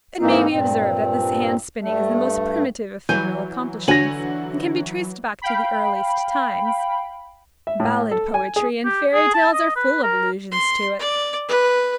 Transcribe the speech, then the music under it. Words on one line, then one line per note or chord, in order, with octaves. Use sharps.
It may be observed that this hand-spinning is the most primitive of female accomplishments, and can be traced back to the earliest times. Ballad poetry and fairy tales are full of allusions to it.
G#2 E3 A#3 C4 D#4
G2 A#2 C4
G2 A3
E3 F#3 G#5 G6
D3 F#4 C#5 G#5 A#6 F#7
F5 G5 B5
E5
A2
A4
G#5
G#4
G4
G#4
A5
D#5
B4
A#4
C6
D5
B4